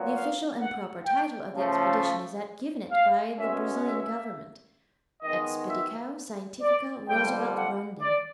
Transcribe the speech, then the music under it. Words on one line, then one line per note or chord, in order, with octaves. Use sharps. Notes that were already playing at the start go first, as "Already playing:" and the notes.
The official and proper title of the expedition is that given it by the Brazilian Government: Expedicao Scientifica Roosevelt- Rondon.
Already playing: A#2 F#3 B3
F5
F#5
G5
C#3 F3 A3
F5
B2 G#3 C#4 E5
E5
D#3 G#3 B3 D#5
E5
D5
F2 D3 G3 G5
F#5
D5